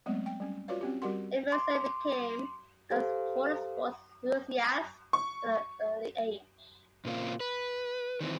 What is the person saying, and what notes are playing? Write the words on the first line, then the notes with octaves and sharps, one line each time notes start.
Emerson became a motorsports enthusiast at an early age.
F#3 G#3 A3 B3 C4
G5
G3 C#4
F4 F#4 B4 C#5 D5 F5
C4 C#4 G4
G3 F#4 G4 A#4 F#5 C6
C6 D6
G4 A4 C5 F5
C#6
A#2 C#3 A#3 C4 F4
B4
D#3 E3 C4